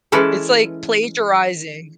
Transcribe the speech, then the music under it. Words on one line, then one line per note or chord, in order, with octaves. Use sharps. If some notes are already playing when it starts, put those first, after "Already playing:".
It's like plagiarizing.
E3 G#3 C#4 E4 A4